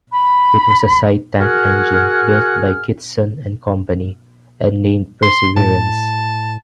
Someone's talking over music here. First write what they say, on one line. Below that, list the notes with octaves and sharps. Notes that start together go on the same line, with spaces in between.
It was a side tank engine, built by Kitson and Company and named "Perseverance".
B5
F#4 G#4 A#4 F#5 G#5 F6
C6
A2 A5